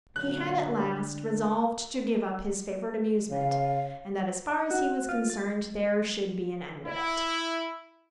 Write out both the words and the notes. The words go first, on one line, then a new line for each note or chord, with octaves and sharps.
He had at last resolved to give up his favourite amusement, and that as far as he was concerned there should be an end of it.
A#2 D3 F#3 F#6
C#3 F5
F#4
F4
A6
E4